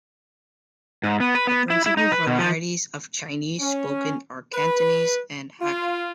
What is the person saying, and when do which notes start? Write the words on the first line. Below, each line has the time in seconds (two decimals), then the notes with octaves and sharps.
The principal varieties of Chinese spoken are Cantonese and Hakka.
1.03 G#2
1.20 B3
1.35 B4
1.47 B3
1.70 E4
1.86 E4
1.97 D#4
2.12 B4
2.27 B2
2.39 F3
3.60 C#4
4.53 B4
5.61 F4